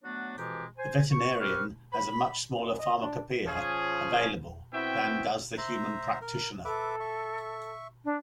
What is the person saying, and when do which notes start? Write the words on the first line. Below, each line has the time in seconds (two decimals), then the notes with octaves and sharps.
The veterinarian has a much smaller pharmacopeia available than does the human practitioner.
0.04 F#3 A3 B3 D4 F#4 C#5
0.38 F2 B2 E3 G#3 G4 A#5
0.78 C5 G#5
1.11 C#6
1.40 C4 G4 A#4 B4 C#6 F6
1.93 B5
2.56 F#2
2.79 D#5
3.01 D4
3.46 F3 C#4 G#4
4.73 B3 C4 E4 F#4 E5 G5
5.58 C5 E5 A#5
6.22 A#4
6.65 A4 B4 E5 D6
7.00 E5 C#6
8.04 D4